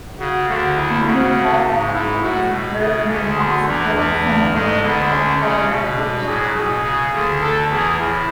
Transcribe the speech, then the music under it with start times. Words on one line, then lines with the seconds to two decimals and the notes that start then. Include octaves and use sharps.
Andrew Charles Elliott is interred in the Ross Bay Cemetery in Victoria, British Columbia.
0.20 C#3 F#4
0.48 D2 D3 F#4
0.77 E4
1.06 C#3 F#4
1.64 G#2
1.93 G#2 E4
2.22 A2 F#4
2.51 B2
2.79 C#3
3.08 D2 D3 G#4
3.37 F#4
3.66 E2 E3 D4
3.95 E2 E3 D4
4.52 G#2 G#3 A3
4.82 D2 D3 B3
5.10 C#4
5.39 C#3
5.69 B2
5.97 D4
6.26 A2 G#4
6.55 B2 G#4
6.83 C#3
7.13 D2 D3
7.42 A4
7.70 E2 E3 G#4
7.99 A2 E4